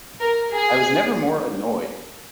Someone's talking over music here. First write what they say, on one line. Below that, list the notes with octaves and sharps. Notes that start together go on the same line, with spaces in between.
I was never more annoyed!
A#4
G#4